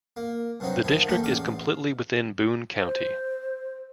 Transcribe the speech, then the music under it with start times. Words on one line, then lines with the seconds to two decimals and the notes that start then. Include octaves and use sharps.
The district is completely within in Boone County.
0.16 A#3
0.60 G2 C3 F#3 C4 D#4
0.84 D3 D#3 F3 E4
1.09 E3 A3 A#3 D#4 G4
1.23 A1 E2 F5 D6
2.78 C5